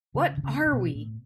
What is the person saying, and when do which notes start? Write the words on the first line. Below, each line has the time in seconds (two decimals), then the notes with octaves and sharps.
What Are We?
0.15 C#3
0.37 D3
0.43 C#3
0.66 C3
0.73 B2
0.95 A2